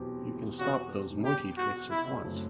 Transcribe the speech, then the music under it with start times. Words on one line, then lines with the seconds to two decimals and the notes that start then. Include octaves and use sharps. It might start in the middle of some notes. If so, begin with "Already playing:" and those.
You can stop those monkey tricks at once!
Already playing: E2 B2 F#3 C4 G4
0.59 F#4
1.25 G4
1.58 F#4
1.90 E4
2.24 F#1 F#2 F#3 A3 C4